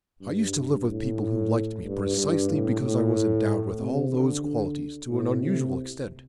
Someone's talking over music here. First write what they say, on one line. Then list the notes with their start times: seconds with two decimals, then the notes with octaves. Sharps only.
I used to live with people who liked me precisely because I was endowed with all those qualities to an unusual extent.
0.22 G2
0.86 A2
1.84 G2
2.17 G2
2.50 A2
2.82 A2
3.79 C3
4.12 D3
4.45 D3
5.10 A2
5.42 C3